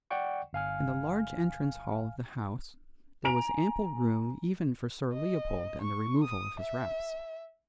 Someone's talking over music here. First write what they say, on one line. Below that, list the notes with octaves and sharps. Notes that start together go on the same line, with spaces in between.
In the large entrance hall of the house there was ample room even for Sir Leopold and the removal of his wraps.
D5 F#5 G5 C#6
G1 F5 G#5 F6
G#5 A#5 D7 F7
D#5
C#6
D#6
E5